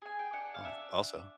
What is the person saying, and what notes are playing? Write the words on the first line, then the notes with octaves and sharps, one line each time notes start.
Oh, also
G#4 G#5
G5
D4 F#5
F5
D4 E5